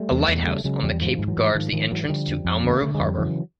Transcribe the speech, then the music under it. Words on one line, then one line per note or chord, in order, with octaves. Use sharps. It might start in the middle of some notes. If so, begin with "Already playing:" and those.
A lighthouse on the cape guards the entrance to Oamaru Harbour.
Already playing: G3 A3
E2
E2
G#3
C#3 G3 A3
C#3 F#3 G#3
E2 F3 G3
G#2 D#3 F3
G#2
E3 F#3
G#2
G#2 D#3 F3
G#2 D#3 F3
G#2 E3 F#3
F#3
D3 F3 G3
F2
F2
D3
A#3
D3 A3
G#3
F2
G3
C#3 E3 F#3